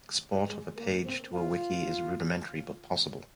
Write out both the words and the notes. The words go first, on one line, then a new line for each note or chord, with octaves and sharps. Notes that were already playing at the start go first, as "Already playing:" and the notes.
Export of a page to a wiki is rudimentary but possible.
G#3
A#3
C4
F4